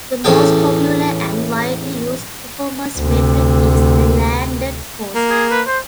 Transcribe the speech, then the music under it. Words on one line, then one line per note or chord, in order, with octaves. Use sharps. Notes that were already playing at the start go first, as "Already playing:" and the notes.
The most popular and widely used performance metric is the landed cost.
E2 A2 C#4 G#4 A4 G5
D2 C3
A#3
G#4
B4
C5